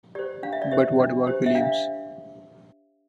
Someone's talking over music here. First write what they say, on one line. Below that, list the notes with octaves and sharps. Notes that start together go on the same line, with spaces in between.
But what about Williams?
G4 C5 D5
D4 F5
E5
D5
G4 C5 E5
D4
G4 C5
E5
D4 F5